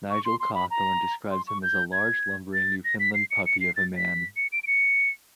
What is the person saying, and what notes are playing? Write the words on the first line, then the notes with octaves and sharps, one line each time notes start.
Nigel Cawthorne describes him as a large, lumbering, Newfoundland puppy of a man.
C#6
C6
C6
B5
A#5
C6
C#6
G6
G#6
A6
A#6
B6
C7
C#7
C#7
C7
A6
B6
C#7
D7
D7
C#7